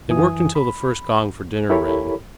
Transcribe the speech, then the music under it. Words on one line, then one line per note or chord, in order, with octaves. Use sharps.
They worked until the first gong for dinner rang.
F#2 E3 G#5 D#6
B5
E4 G4 A4 A#4 C#5 B5